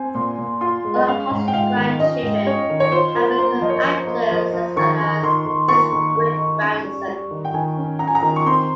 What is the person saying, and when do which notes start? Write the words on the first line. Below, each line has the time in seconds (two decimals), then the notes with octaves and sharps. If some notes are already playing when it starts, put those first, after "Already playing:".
All of Huston's grandchildren have become actors, as well as his great-grandson.
Already playing: C4 G#5
0.15 A#2 C6
0.38 A#2
0.61 F4 C6
0.84 G#3
0.96 D#5
1.08 C#4 F5
1.31 G#2
1.48 G5
1.53 G#2 F5
1.76 D#3
2.00 C#4 D#5
2.23 G#2
2.46 C#4 C#5
2.70 D#3
2.80 C#5
2.92 F4 C5
3.15 F4 A#4
3.38 A#3 C5
3.61 F3 D#5
3.69 C#5
3.76 D#5
3.84 F3
4.07 A#3
4.31 F3
4.53 F3
4.76 D#3 C#6
5.00 D#3
5.23 D#3 C6
5.46 D#3
5.68 A#3 C#6
5.92 D#3
6.16 D#3
6.38 D#4
6.62 C#4
6.85 G3
7.08 G3
7.31 D#3
7.45 G5
7.54 D#3 G#5
7.77 C#4
7.99 C#4 A#5
8.07 G#5
8.15 A#5
8.23 D#3
8.36 C#6
8.46 C4 C6